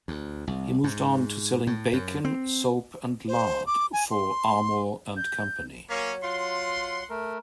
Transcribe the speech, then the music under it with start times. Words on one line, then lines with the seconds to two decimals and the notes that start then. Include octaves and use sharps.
He moved on to selling bacon, soap, and lard for Armour and Company.
0.08 D2
0.47 C2
0.84 G#2
1.67 A2
1.93 F#2
2.25 C4
3.28 C5
3.67 D6
3.93 G#5
4.11 C6
5.17 G6
5.89 F#3 A#3 C#4
6.23 F4 F#5 C6
7.10 A3 A#4